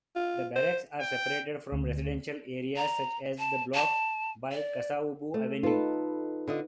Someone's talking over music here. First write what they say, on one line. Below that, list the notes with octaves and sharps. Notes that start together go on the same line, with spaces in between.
The barracks are separated from residential areas such as the "Block" by Kasavubu Avenue.
F4
C5
G5
D2
A#5
A5
A5
D5
A3
D#4 F4 A4 B4
D3 F4 D#5